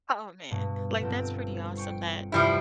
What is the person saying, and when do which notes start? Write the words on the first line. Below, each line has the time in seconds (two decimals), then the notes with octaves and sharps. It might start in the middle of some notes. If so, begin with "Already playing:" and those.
Oh, man, like, that's pretty awesome that
0.51 G2 B2
1.01 G1 C4
1.75 G5 C#6 C7
2.32 E2 G2 C3 F3 G3 E4